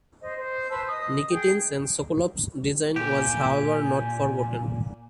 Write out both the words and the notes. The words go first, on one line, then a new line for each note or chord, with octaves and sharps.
Nikitin's and Sokolov's design was however not forgotten.
C5 D#5
C5
B4 C5 A5 E6
D#5 D#6
G#4 G5
A#2 G4 G#5